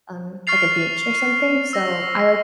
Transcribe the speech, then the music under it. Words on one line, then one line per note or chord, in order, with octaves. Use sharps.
have um, like, a beach or something, so I like
C#6 F6 A6 C7 F7
E6 A#6